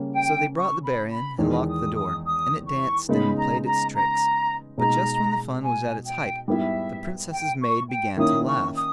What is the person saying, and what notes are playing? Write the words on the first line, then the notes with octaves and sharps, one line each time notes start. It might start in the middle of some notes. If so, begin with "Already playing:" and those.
So they brought the bear in, and locked the door, and it danced and played its tricks; but just when the fun was at its height, the Princess's maid began to laugh.
Already playing: C#3 G3 A#3 C#4
G5
C#6
B5
B5
E2 D#3 G#3
D#6
D#6
D#6
C#6
C#3 G#3 B3 D#4 B5
A#5
A#5
A#5
B2 G#3 D#4 A#5
G#5
G5
G#2 G3 B3 E4 E5
G5
C#6
G5
D#3 A#3 C#4 E4 D#6
C#6
D#6